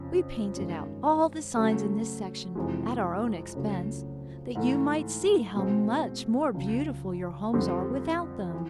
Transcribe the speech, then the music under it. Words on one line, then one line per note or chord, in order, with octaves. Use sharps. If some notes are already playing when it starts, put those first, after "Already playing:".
We painted out all the signs in this section at our own expense, that you might see how much more beautiful your homes are without them.
Already playing: F2 C#3 F3
G2 D#3 G#3 C#4
C#3 F#3 A3
F2 C3 E3 G#3
C#2 C#3 F#3 A3
G#2 E3 A3
B2 G#3 C4
C#2 C#3 F#3
F2 D3 G3 C4
E3